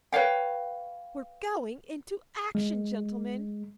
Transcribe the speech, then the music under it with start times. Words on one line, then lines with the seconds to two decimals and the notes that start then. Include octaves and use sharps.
"We're going into action, gentlemen!"
0.12 B4 C#5 F5 G5
2.55 G#3